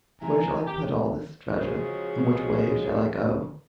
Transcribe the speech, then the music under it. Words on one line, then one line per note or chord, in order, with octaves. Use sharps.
Where shall I put all this treasure, and which way shall I go?
C3 C4 E4 G#5 A#5
C3 G4
C#3 F3 F#3 G#3